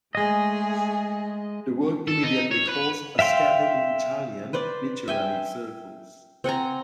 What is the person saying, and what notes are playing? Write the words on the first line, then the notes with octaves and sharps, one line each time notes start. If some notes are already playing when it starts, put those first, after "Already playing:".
The work immediately caused a scandal in Italian literary circles.
G#3 A3 G#4 D#5
A4
D#4
C#5
B4
E5 F5 G5 C6
B4 C5 D5
E5 G5 G#5
C4 F#5 G#5 A#5